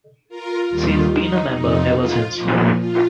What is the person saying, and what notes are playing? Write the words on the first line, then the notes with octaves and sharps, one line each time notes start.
She's been a member ever since.
F4 A#4
D#2 D#3 G3 F4
D#4
F2 C3 F3 D#4
F4
A#2 F3
F4